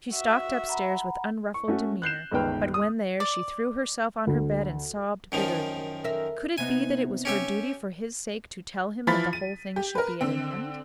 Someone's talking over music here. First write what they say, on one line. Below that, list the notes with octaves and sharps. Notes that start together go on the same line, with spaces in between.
She stalked upstairs with unruffled demeanour; but when there, she threw herself on her bed and sobbed bitterly. Could it be that it was her duty, for his sake, to tell him that the whole thing should be at an end?
F#4 E5
F#5 A#5 B5
C#6
A3 C#4 F#4
F#6 G6 C7 E7
G1 C#2 D#3 B4 G5 F6
D#6
D5
D2
F#2 D#3 F3
A#4 E5
C3 B3 D#4 G#5
C#4 G4 E5
E3 F3 F4 B5 A6 B6
D#7
G4
A#4 B4
D3 C4